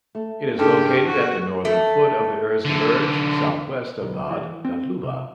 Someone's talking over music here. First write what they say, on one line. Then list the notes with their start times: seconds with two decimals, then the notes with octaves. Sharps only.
It is located at the northern foot of the Erzgebirge, southwest of Bad Gottleuba.
0.15 A3
0.59 G2 C#3 G4 A4
1.06 F#4
1.65 A3
2.65 D3 E3
4.02 B1
4.30 E3
4.65 C4
5.04 C3